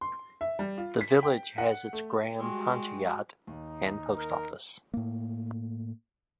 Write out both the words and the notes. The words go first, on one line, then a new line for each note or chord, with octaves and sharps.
The village has its Gram Panchayat and Post Office.
C6
E5
G3
F4
B6
G5
F#5
A3
G3 G#3 F#4 G5 G#5 C6 C#6
D#2 D#4
A#4
A2 A#3